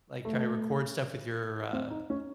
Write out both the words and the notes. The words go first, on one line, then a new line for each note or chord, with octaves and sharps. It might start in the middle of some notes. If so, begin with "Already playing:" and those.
like try to record stuff with your, uh,
A3
C4
D#4
C#4